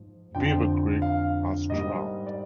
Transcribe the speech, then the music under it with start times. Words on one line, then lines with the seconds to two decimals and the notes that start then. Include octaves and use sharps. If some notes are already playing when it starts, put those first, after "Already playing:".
Beaver Creek has trout.
Already playing: G#2 F3
0.35 F2 D3 F3 G5
1.02 F5
1.69 G#2 G3 A#3 D#5
2.27 D5